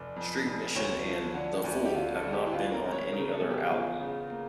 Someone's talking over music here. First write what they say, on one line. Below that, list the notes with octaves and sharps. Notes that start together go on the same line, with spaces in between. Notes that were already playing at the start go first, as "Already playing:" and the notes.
"Street Mission" and "The Fool" have not been on any other album.
Already playing: F1 D5
F2
F1
D2 C#5
F3
D3
D2
G4
D3 F4
A4
D3
G4
E4
D2 F4
A#4
D2 A#4
C#5
C#3 A#4
A4
E2
G4
E2 F4
C#3
A#3